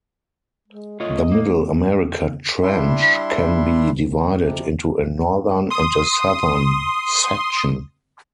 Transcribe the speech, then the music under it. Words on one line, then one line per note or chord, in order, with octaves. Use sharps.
The Middle America Trench can be divided into a northern and a southern section.
G#3
A3 F4 C#5 D#5
A#3
G3 D4 E4 E5 C6
F2 C3
C6 D#6